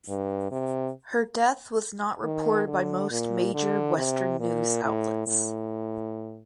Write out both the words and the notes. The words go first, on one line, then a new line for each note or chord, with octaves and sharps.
Her death was not reported by most major Western news outlets.
G2
C3
D#3
D3
A#2
D3
C3
A#2
A2
A2